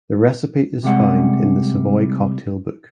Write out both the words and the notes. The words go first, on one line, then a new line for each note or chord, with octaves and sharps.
The recipe is found in "The Savoy Cocktail Book".
C2 A2 C3 G3 G#3 F#5